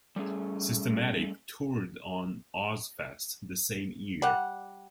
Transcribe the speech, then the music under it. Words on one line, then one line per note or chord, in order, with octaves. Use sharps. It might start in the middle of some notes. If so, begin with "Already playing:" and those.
Systematic toured on Ozzfest the same year.
G3 A3 C#4 G#4
G3 F#5